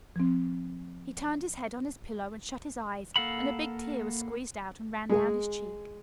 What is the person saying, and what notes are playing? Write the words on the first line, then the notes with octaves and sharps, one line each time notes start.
He turned his head on his pillow and shut his eyes and a big tear was squeezed out and ran down his cheek.
F3 C4
A#3 A4 F5 F#5 B5
G#3 G#4